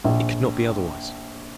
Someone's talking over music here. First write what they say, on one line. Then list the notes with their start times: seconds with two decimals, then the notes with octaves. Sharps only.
It could not be otherwise.
0.04 A#1